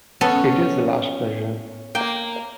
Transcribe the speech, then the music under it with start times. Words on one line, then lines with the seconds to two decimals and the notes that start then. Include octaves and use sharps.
It is the last pleasure.
0.21 B3 C#4 A4
1.95 A#3 G5